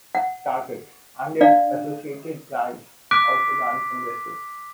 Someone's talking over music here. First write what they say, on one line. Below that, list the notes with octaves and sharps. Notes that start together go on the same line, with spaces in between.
Target, and its associated brands, also ran some races.
F#5
D4 D5 F5
D6 F#6 B6 D7